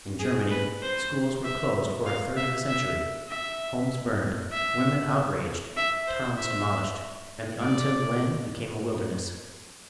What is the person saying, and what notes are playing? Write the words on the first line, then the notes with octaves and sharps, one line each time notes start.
In Germany schools were closed for a third of a century, homes burned, women outraged, towns demolished, and the untilled land became a wilderness.
G#4
B4
C5
E5
F5
E5
E5
E5
E5
E5
C5
E5
D5